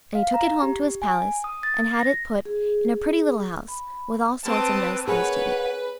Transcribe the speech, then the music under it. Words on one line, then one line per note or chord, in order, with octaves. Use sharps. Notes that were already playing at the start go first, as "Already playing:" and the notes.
And he took it home to his palace and had it put in a pretty little house, with all sorts of nice things to eat.
F5
A#5
G4
G#5
D#6
A6
A#6
G#4
B5
C4 B4 A5 D6 D#6
G#4 A#4 B4 C#5 F#5